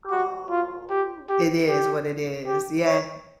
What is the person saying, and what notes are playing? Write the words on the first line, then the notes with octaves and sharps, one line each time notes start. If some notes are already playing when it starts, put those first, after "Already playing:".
Oh, it is what it is, yes.
F#4
F4
G4
G4
G4
G4
C#5